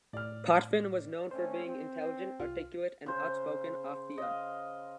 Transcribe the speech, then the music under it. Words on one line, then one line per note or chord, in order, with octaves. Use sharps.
Potvin was known for being intelligent, articulate, and outspoken off the ice.
A2 D5 F6
A3 C4 C#4 C5
C4
C2 F4
C#3 C5
D#5 F5